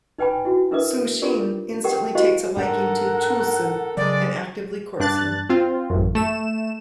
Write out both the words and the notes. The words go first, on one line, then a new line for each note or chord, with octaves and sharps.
Su-jin instantly takes a liking to Chul-soo and actively courts him.
D#4 B4 G5 G#5 B5
E4 F#4
D4 E4 A#4 B4 E5 D#6
D4 F4 G4 A#4 D5
G4 A4 A#4 F#5 G5
E4 F#4 G4 C5 D#5 F5
G#2 G#3 D4 A4 A#4 F#5
C#3 F#3 G#3 D5
G2 D4 F#6 A6
C4 F4
A1 F#2
A3 E7